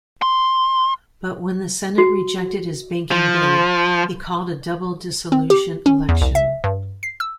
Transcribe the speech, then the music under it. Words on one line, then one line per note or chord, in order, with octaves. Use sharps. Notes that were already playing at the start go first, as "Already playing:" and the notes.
But when the Senate rejected his banking bill, he called a double dissolution election.
C6
F#4
F3
C4
G4
C#4
E2
C2
E5
G2
C7
E6